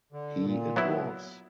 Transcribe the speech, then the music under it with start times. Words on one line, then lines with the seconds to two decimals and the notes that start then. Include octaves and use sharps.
He it was.
0.12 D3
0.44 A#2
0.76 F#3 B3 E4